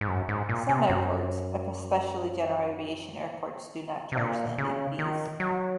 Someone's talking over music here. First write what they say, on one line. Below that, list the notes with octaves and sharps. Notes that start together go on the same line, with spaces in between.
Some airports, especially general aviation airports, do not charge landing fees.
G#2
F#2
G#2
A#2
C3
F#2
C3
A#2
C#3
D#3
F#3